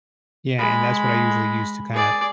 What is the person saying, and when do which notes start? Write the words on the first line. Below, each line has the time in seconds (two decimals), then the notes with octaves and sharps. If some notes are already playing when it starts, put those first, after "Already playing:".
yeah, and that's what I usually use to kinda,
0.58 G#3 B5
1.93 G#4 D5